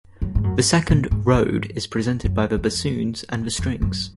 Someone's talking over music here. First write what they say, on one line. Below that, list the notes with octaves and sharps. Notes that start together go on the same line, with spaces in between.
The second "road" is presented by the bassoon and the strings.
F#2
G#2
F#2
A#2
G#2
G#2
F#2
F2
F2
F#2